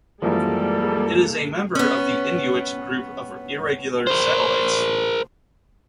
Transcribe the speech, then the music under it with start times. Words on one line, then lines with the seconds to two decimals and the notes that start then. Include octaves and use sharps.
It is a member of the Inuit group of irregular satellites.
0.22 F#2 E3 F3 G3 G#3 A#3 A4
1.75 B3 C#4
4.07 A#4 C5